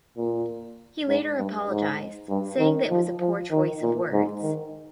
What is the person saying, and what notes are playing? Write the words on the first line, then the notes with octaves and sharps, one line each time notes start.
He later apologized, saying that it was a poor choice of words.
A#2
G#2
G2
G#2
G2
D#3
F3
F3
D#3
A#2
G#2
D#3